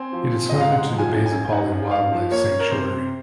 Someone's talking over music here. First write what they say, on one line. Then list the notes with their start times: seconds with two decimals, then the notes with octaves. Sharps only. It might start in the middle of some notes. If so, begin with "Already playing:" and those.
It is home to the Baisipali Wildlife Sanctuary.
Already playing: C4 G#5
0.13 F3
0.32 C4
0.49 G#2 D#5
0.61 F5
0.72 G#3 F#5
0.92 F3
0.98 G#5
1.12 F#2
1.26 G#5
1.32 F#2
1.52 D#4 F#5
1.72 F#2
1.91 D#4 F5
2.12 F3
2.31 A#3 C#5
2.51 C#4
2.60 A#4
2.71 C3 C5
2.91 C3